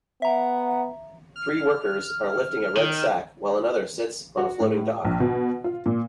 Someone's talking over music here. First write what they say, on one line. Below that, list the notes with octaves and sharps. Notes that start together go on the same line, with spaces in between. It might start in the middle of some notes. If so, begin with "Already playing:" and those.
Three workers are lifting a red sack while another sits on a floating dock.
B3 E5 F#5 A#5
F6
D#3
F#4
A2
A#1
B2
F4
A#2